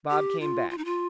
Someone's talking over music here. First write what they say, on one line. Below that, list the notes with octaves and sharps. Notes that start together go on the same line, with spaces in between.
Bob came back.
G4
F4
F4
D#4
F4